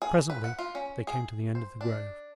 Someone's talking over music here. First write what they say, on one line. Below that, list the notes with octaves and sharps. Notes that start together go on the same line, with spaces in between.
Presently they came to the end of the grove.
G#4
B4
F#5
F4
C#4
G#4
C5
D4